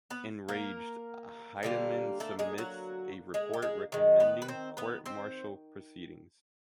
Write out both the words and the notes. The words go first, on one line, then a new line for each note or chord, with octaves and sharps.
Enraged, Heidemann submits a report recommending court martial proceedings.
B3 B4
A#3 A#4
D3 G3 A#3
A3 A4
G#3 G#4
F#3 F#4
G#3 G#4
G4
G#3 G#4
D#3 G#3
B3 B4
B4
C4 C5
B3 B4
C4 C5